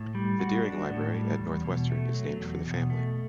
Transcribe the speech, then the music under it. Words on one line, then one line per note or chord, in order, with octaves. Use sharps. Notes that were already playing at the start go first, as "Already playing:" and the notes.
The Deering Library at Northwestern is named for the family.
Already playing: A2
G3
F#4
D4
A2
G3
E2
B2
A3
F#3
E2
B2
A3